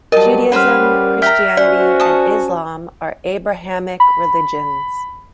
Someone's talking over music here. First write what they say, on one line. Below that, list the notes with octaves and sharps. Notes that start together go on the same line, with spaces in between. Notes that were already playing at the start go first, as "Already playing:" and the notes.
Judaism, Christianity and Islam are Abrahamic religions.
F#3 G3 A#4 D#5 A5
G3 C#4 B4 C5 F#5 B5 F6
E5 G5 A#5 F6 B6
C#4 F#4 C5 D5 F#5
A5 D#6
B5